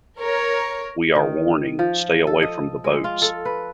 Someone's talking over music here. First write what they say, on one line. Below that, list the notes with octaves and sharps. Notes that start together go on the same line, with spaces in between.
We are warning, stay away from the boats.
A#4 C#5
D#3
F3
A4
D#5
G#3
F4
A4
B4